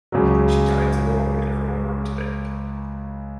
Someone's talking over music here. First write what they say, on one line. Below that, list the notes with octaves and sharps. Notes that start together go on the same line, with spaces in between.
She dines alone in her own room today.
C#2 C#3 F#3